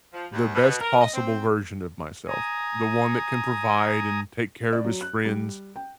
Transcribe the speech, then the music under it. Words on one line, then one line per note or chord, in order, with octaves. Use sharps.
the best possible version of myself. The one that can provide and take care of his friends,
F3
D#2
B2
A#4
D#5
C4
G#5 A#5 D#6
D5
F#3
F#6
G3
G5